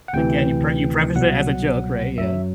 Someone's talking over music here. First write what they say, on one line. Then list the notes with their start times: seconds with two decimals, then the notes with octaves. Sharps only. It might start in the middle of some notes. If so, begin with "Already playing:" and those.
Again, you pre you preface it as a joke, right? Yeah.
0.08 F#5
0.13 D2 C3 E3 G5
1.16 C2 B2 F#3 F#5
2.18 F#2 F#3 E5